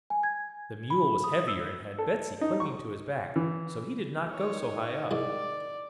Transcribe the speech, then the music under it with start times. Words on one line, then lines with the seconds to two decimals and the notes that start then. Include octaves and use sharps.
The mule was heavier and had Betsy clinging to his back, so he did not go so high up.
0.10 G#5
0.23 G#6
0.90 B5
1.24 D#6
1.48 E6
1.99 A4
2.41 D#4
2.60 C#6
3.36 E3
4.31 D#3 C#5
5.11 C2 G#2 D5